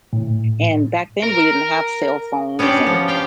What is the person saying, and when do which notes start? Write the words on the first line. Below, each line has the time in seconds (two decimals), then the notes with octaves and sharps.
And back then, we didn't have cell phones and,
0.13 A2
1.23 A#4
2.59 B3 C#4 D4 F#4 G4
2.87 F3
3.08 G4 F5 G5